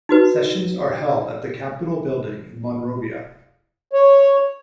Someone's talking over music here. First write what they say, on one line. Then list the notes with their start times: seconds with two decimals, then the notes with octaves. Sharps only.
Sessions are held at the Capitol Building in Monrovia.
0.09 D#4 F#4 B4
3.93 C#5